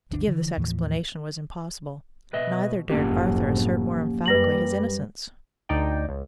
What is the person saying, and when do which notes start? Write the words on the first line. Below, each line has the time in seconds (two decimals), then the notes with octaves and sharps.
To give this explanation was impossible; neither dared Arthur assert more emphatically his innocence.
0.11 G1 D2 D4
0.27 D3 E3
0.57 D#2 A2 E3 F3
2.33 B2 B4 D#5 E5
2.89 F#1 F2 A2 A#3 C#4 G4
4.26 F#2 G3 B4 A#6 F#7
5.69 D2 D#4 D5 G5
6.09 C#2